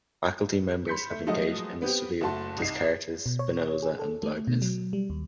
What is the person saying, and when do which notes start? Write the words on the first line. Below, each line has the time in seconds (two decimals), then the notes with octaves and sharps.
Faculty members have engaged in the study of Descartes, Spinoza and Leibniz.
0.87 B5 C6 G6 B6 C#7
1.10 A3
1.27 F3 F#3 G#3 A3 F#4 D#5
1.82 B3 C4 G4
2.21 F#1 A3 F#4 A5 C6
2.58 C2 D#4 C7
3.26 B2
3.39 C#5
3.83 G#4
3.99 A4
4.23 A3
4.47 B2
4.62 F#3
4.93 G3
5.10 D#2